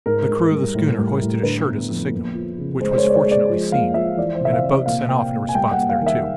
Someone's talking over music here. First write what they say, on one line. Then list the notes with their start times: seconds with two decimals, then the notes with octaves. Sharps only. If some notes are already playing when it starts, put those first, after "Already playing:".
The crew of the schooner hoisted a shirt as a signal, which was fortunately seen, and a boat sent off in response thereto.
0.06 G#2 A#4
0.29 G#2
0.51 G3
0.75 A2
0.98 G3
1.21 A2
1.43 D3 B4
1.67 B3
1.89 F2
2.12 A#3
2.35 F3
2.58 C#3
2.81 G#3 C5
2.91 C5
2.98 C#5
3.03 G#3
3.10 D5
3.15 C#5
3.26 G#3
3.32 D5
3.49 F3
3.72 A#3 F5
3.94 F3 E5
4.17 E3 D5
4.35 C5
4.41 C3 E5
4.53 F5
4.63 C3
4.69 E5
4.86 A#2 F5
5.09 A#3 G5
5.32 A#3
5.49 G#5
5.55 G3 G5
5.71 F#5
5.78 A#3
5.89 F5
6.01 D#3
6.07 E5